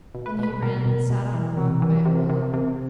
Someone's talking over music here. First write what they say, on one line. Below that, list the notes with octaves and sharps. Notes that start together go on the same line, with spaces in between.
Then he ran and sat on a rock by Olaf.
B2
B4
B2 B4
B2 A#4
B2
B2
E3
C3
E3
C3
C3
C3